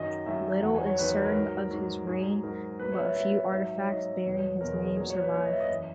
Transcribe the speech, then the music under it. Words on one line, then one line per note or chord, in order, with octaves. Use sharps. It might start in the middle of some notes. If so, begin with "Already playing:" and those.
Little is certain of his reign, but a few artifacts bearing his name survive.
Already playing: F#2 D#3 F#3 D#5
F#2 D#3 F#3 E5
E2 D#3 F#3 F#5
G#5
C#5
E2 D#3 F#3 B4
B4
A#4
G#2 F#3
G#2 F#3
G#2 F#3 G#4
G#2 F#3 A#4
A#2 F#3 B4
C#5
E5
A#2 F#3 E5
G#2 F#3 E5
C#5
G#2 F#3 D#5
E2 B2 F#3 C#5
E2 B2 F#3 A#4
G#4
G#4
A#2 F#3 G#4
C#5
B4
A#2 F#3 C#5
D#5
E5
D#5
F#2 E3